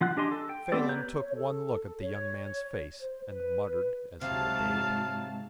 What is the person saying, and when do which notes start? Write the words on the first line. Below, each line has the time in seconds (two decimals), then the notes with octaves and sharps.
Phelan took one look at the young man's face and muttered as he obeyed.
0.01 F3 F4 F#5 F#6
0.17 D4 G4 D#5 G#5 C6
0.31 A4
0.49 G5
0.72 B3 C4 G4 A4 D5
0.89 B4 C#5 A#5 G6
1.20 C#5
1.34 A4
2.00 C#5
2.99 C5
3.25 B4
4.21 G#2 C3 F#3 F5 A5